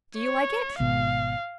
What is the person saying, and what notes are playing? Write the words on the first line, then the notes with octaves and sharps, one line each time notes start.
Do you like it?'
C#5
G#1 B2 F5